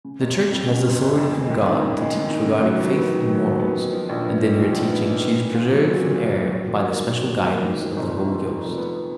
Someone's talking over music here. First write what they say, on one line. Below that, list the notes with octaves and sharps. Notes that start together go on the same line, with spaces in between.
The Church has authority from God to teach regarding faith and morals, and in her teaching she is preserved from error by the special guidance of the Holy Ghost.
C#3
F#1
F#1
F2
C#3
F#1
F#1
F2
G#3
D#2
D#4
C#3
G#3
D#2
D#4
C#3
F#3
D#2
B3
D#3
F#3
D#2
B3
D#3
F3
A#1
B3
G#2
F3
A#1
B3
G#2
B3
A#2
F4
F#3
B3
A#2
F4
F#3
F#3
D#2
A#3
D#3
F#3
D#2
A#3
D#3
F3
F1
B3
F2
F3
F1
B3